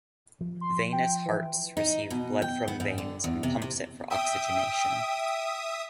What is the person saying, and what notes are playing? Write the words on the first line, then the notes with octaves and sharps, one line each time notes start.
Venous hearts receive blood from veins and pumps it for oxygenation.
F3
C6
G5
E3
D#4
B2
G5
B3
G#2
D3
E2
C3
C3
E5 G5 D#6